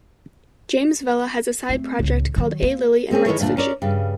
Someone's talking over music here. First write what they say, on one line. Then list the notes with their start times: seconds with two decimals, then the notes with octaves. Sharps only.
James Vella has a side project called A Lily and writes fiction.
1.69 A3 C4
1.99 C#2 A2
2.36 D#3 F#3
2.63 A#3
3.11 G#3 C4 C#4 G#4
3.26 D#3 G#3 E4 A4 B4 C#5
3.40 D2 A#2 A3 D4
3.57 C#4 A#4 D5
3.82 G2 C#3